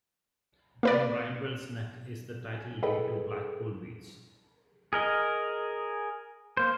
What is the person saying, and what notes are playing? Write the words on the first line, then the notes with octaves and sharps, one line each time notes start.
In Bridewell's neck is the title deed to Blackpool Beach.
A#3 B4 D5
G#4 A4 B4 D#5 G5
G#4 A#4 D#5
A#3 C5